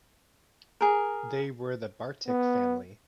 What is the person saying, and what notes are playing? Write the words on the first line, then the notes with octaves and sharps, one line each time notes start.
They were the Bartik family.
G#4 A#4
B3